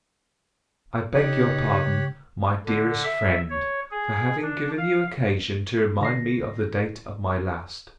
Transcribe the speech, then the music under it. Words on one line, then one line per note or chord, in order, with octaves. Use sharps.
I beg your pardon, my dearest friend, for having given you occasion to remind me of the date of my last.
C#3 D#4 G4 C#5 F#6
D3
E5
C#5
G#4
D4
F5
D3 A#6 C7